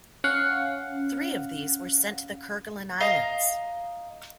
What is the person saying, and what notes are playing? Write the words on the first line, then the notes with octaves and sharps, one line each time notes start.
Three of these were sent to the Kerguelen Islands.
C#4 F5 F#5
D#5 F5 A#5